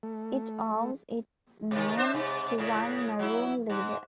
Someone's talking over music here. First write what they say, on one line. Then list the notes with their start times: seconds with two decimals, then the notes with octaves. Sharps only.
It owes its name to one maroon leader.
0.03 A3
1.71 C3 D#3
1.97 D4 C5 E5
2.14 G#2 C3
2.58 A2 C#3
3.19 F#3 E4
3.70 G#2